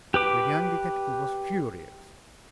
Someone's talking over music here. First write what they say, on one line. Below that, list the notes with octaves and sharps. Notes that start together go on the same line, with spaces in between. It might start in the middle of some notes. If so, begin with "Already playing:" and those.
The young detective was furious.
G4 B4 D6